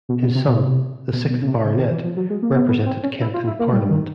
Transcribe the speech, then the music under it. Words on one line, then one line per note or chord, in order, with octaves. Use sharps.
His son, the sixth Baronet, represented Kent in Parliament.
B2
B2
C3
B2
C3
B2
B2
C#3
C3
C#3
D#3
E3
F3
F#3
G#3
A#3
B3
B3
C4
C#4
E4
F4
E4
A#3
G3
D#3